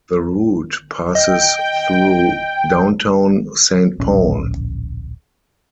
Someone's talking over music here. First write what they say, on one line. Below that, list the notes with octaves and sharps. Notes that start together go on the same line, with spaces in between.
The route passes through downtown Saint Paul.
D#5 G5
D1 A#1 C#4